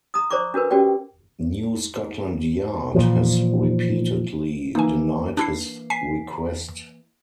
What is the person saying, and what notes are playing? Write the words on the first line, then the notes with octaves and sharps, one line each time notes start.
New Scotland Yard has repeatedly denied his request.
A#5 D#6
C5 D5 A#5 C#6 D6
D4 F#4 A#4 B4
C#4 F#4 G4 D5 G5
A#2 E3 F3
E3 A#3 D#4 G#5
D4 E4 C7
G#5 B6 C7